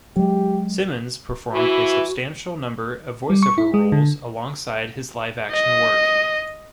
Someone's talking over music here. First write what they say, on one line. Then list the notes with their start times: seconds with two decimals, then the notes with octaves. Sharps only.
Simmons performed a substantial number of voice-over roles alongside his live action work.
0.16 F#3 G#3 G4
1.52 E3 E4 F#4
3.30 G3
3.43 C#6
3.58 E4
3.74 G#3
3.92 D3
5.52 D#5